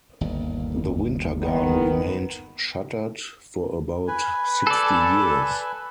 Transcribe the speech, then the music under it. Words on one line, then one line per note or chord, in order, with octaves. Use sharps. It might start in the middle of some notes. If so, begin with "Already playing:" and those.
The Winter Garden remained shuttered for about sixty years.
G1 D#2
D#3 B3
B4 G#5
A4 D5